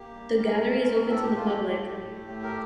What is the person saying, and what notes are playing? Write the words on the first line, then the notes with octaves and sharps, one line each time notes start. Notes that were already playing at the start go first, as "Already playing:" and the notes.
The gallery is open to the public.
Already playing: A#3 G4
G3
A2 A#4
C4
A2
A3 A4
G4
A3 F4
G4
A2
A3
A2
A3
A#4